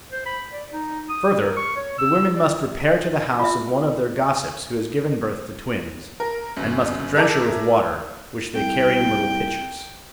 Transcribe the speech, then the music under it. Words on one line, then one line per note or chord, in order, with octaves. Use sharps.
Further, the women must repair to the house of one of their gossips who has given birth to twins, and must drench her with water, which they carry in little pitchers.
C5
B5
D5
D#4
D#6
A#4
C#6
C#5
E6
D5
F4 E5
A#4
G1 F#2
G#4 A#4 E5 A5 D6
C2 G5